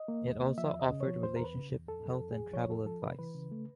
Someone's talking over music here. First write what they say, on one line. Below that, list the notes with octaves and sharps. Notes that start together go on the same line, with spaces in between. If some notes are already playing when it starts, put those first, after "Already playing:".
It also offered relationship, health and travel advice.
Already playing: D#5
A#3
D#2
A#3
F3 E5
E2
D#5
C#3
C#5
F3
E2 C5
E2 A#4
B4
C#3
E2
F2 A4
F2 A4
F2
G#4
F2
F3 C#5
F2 A4
F3 A4
C3 B4
E3 B4
C#3
A3